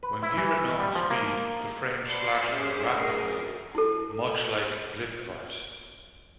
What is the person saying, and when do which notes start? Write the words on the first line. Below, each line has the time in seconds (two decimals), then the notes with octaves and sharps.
When viewed at normal speed, the frames flash by rapidly, much like blipverts.
0.03 B4
0.22 E4
0.38 E3
0.79 G3
0.95 F3
1.11 A#3
2.04 C5 D5 F#5 A5 B5 C6
2.48 C#4 G4 G#4 C5 C#5 E5
2.91 D2 A2 G#4 A#4
3.75 E4 A4